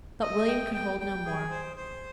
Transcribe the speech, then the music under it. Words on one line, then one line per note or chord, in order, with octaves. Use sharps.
But William could hold no more.
D#5
G5
G5
G5
G#4
C5
C5